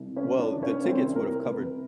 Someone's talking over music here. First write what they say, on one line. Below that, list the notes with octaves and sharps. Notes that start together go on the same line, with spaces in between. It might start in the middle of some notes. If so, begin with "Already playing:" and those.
Well, the tickets would've covered
Already playing: C2
C#4 C#5
C3
D4 D5
D#3
C#4 C#5
C2 C4 C5
C2 A#4
C3 B4